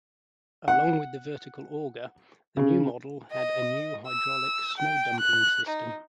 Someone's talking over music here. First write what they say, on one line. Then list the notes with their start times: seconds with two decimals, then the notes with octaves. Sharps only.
Along with the vertical auger, the new model had a new hydraulic snow-dumping system.
0.68 F#5
2.57 C#3
3.32 D#5
4.08 E6
4.78 G5
5.20 F#6
5.67 D#4